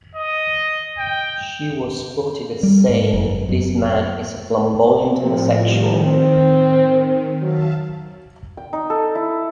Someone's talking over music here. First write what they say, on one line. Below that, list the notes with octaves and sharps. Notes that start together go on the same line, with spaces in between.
She was quoted as saying, This man is a flamboyant homosexual.
D#5
G5
G3
G#2
F#1
F#2
A2 F3 C4
D#3 G3
C4
F#3 E5 F5 A5
G5
D#4
A4
E4